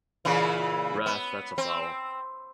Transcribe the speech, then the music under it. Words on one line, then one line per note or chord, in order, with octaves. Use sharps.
Ref, that's a foul.
A#2 C#3 E3
B3
C4